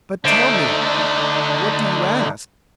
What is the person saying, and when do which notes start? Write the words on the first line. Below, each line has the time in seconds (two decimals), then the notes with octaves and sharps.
"But, tell me, what do you ask?"
0.25 D3 A3 D4 D#4 C5 D5 E5